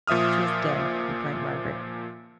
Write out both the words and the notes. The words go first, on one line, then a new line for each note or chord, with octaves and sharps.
'She is dead,' replied Margaret.
A#2 F3 E5 D#6 F6